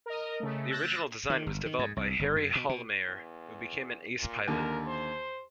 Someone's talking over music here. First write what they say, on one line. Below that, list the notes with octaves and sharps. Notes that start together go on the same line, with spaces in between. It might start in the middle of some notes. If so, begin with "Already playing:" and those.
The original design was developed by Harry Hollmeyer who became an ace pilot.
A#4 D#5
C#3 A3
E6 F#6 G6 A6 A#6 E7
D#3
G1
D#3
G#2
C2
G1
F#2
B2
B2
E2
A#2
D#2 D3 A#4
C5